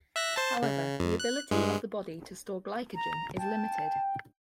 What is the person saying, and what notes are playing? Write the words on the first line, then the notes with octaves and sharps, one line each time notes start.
However, the ability of the body to store glycogen is limited.
E5 F#6 A#6
C5 A5
C#3
F2
F#6
G2 G#3
A#5
G5 A5